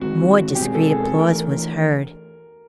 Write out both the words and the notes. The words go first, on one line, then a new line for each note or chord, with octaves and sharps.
More discreet applause was heard.
D#3 G#3 C4 F#4
G4
B2 G#3 C4 G#4
A4
G#4
A4
E3 A3 D4 A#4